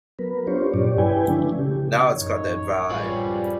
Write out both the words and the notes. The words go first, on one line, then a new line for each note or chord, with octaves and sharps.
Now it's got that vibe.
F#3 B3 A#4 B4
C#4 D4 F4 G4 C5 C#5
G2 A#2 F#3 G4 C#5 D5
E4 B4 G5 G#5
D3 F3 A3 C#4 D4 E4
C#3 G4
A1 F#2 D#4 C#5
F3 G3 F4 G#4 B4